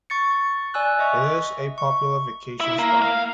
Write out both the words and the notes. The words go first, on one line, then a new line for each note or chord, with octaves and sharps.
It is a popular vacation spot.
C#6 A6 C#7
D5 G#5 E6 F#6
D#5 E5 C#6
C#6
E4
A#3
F5